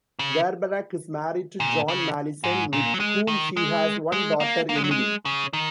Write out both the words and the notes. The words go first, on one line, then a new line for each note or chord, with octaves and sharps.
Garbarek is married to John Mallison, with whom she has one daughter, Emily.
C#3
A#2
C#3
G#2
A#2
F#3
G#3
D#3
G#3
G#3
A#3
A#3
G#3
F#3
G#3
C#3
D#3